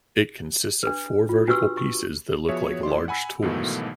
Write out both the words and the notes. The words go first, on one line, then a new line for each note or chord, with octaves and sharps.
It consists of four vertical pieces that look like large tools.
D4 B4
F4
D4 F#4 G4 B4 C#6 E6
C#6
F3 B3 F#4 G#4 C#5 E5
A2 E4 D5 C6
F#5 G#5 B5 E6
B1 G#2 B2 D#3 E3 A3